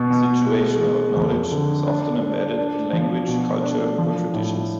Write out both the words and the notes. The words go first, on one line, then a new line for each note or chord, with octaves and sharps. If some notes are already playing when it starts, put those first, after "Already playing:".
Situational knowledge is often embedded in language, culture, or traditions.
Already playing: B2
B2
G#3
G#3
F2
D3
D4
D4
D4
F3
B2
D4
F3
A2